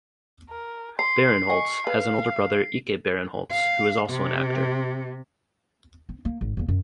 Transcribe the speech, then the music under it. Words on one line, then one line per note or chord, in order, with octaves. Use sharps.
Barinholtz has an older brother Ike Barinholtz who is also an actor.
A#4
A#5 C6 C7
D#5 F#5 G#5 C#6
B4 F5
F5
C3
C4
A#3
G#1
E2 A#3
F#2